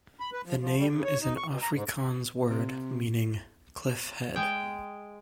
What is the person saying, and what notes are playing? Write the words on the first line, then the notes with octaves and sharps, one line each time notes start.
The name is an Afrikaans word meaning cliff head.
B5
B4
F3
F3
G3
C#3
C#5
D#4
C#6
B2
A#5
G#2
C3
G#3 G5